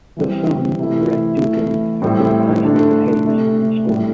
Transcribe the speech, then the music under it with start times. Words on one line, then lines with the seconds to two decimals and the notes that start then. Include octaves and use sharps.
The son, Red Dugan, had been a classmate of Hague's in school.
0.16 E3 G3 C4
0.79 C3 E3 A3 E4
1.40 E3 A3 E4
2.02 A2 G3 C4 E4
2.63 D3 A3 D4
3.25 C3 A3 D4
3.88 A2 G3 E4